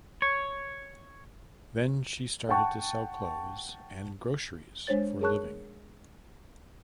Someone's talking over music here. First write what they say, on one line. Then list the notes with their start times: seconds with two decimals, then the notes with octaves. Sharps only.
Then she started to sell clothes and groceries for living.
0.22 C#5
2.49 F#5 G5 A5 C#6
4.87 G#3 D4 C5 C#5 A6
5.21 G#4 A#4 C#5 A5 C#6 F#6